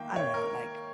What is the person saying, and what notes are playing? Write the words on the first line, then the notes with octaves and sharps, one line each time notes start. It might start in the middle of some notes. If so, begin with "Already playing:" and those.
I don't know, like,
Already playing: D#3 A#3 G5
C#5
A#4